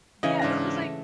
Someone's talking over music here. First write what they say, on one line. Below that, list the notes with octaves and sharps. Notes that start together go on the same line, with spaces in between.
Yeah, it was like
C#3 E3 C#4 D#5
G#2 D4 A#6
A3